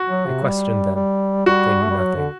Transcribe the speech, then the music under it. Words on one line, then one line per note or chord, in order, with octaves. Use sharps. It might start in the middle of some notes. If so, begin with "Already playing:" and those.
I questioned them. They knew nothing.
Already playing: F#4
F#3
C3
G3
G3
G3 F#4
A3
G3
F#3
D3